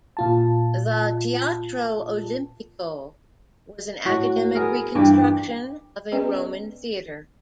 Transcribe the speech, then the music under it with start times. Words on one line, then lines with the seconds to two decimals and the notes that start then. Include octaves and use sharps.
The Teatro Olimpico was an academic reconstruction of a Roman theatre.
0.17 A#2 F4 A5
4.05 A2 F#4
4.55 B3 G#4 A#4
4.95 G2 E3 A#3 G4
6.12 B3 C#4 G#4 B4 D5 D#5